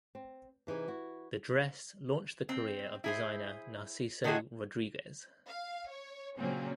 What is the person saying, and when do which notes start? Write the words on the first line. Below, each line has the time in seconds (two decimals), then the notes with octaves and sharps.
The dress launched the career of designer Narciso Rodriguez.
0.15 C4
0.67 C3 E3 D#4 G#4
0.88 E4 F#4
2.49 C4
3.04 E4 G#4 C5
4.24 D3 D#3 A3 F#4 G#4
5.48 F5
5.89 C#5
6.38 A#2 C#3 F#3 A#3 C4 C#4